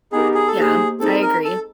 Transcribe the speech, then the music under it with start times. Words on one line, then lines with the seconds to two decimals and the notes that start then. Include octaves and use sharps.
Yeah, I agree,
0.12 B3 D#4 G4 G#4 A#4
0.34 G#4
0.48 A4
0.56 A#3 D#4 G4 G#4 C5
1.00 G#3 C4 D#4 G#4 A4
1.22 A#4
1.44 A4